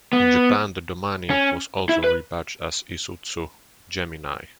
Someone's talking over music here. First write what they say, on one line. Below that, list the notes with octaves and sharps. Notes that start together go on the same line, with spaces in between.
In Japan, the Domani was also rebadged as the Isuzu Gemini.
B3
C#4
E4
B4